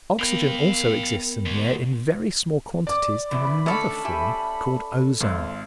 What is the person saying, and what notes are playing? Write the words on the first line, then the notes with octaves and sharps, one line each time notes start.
Oxygen also exists in the air in very small quantities in another form called ozone.
B3 A#4 F5 G5
D2
D5 D6
F#2 B2 E3 B5
D3 D#3 A3 C#4 A4
G4 E5 G#5
G#1 F4 E5